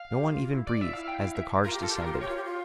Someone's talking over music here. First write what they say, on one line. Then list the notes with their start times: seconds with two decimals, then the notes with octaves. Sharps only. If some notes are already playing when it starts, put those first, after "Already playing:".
No one even breathed as the cards descended.
Already playing: F5
0.13 G4
0.32 F4
0.50 E4
0.67 D5
0.79 F4 E5
0.93 E4 F5
1.08 G5
1.22 F5
1.36 E5
1.64 F4 A#4
1.72 G4
1.80 F4
1.83 A4
1.89 G4
1.96 F4
2.02 A#4
2.05 G4
2.13 F4
2.21 G4 C#5
2.28 F4
2.36 G4
2.44 F4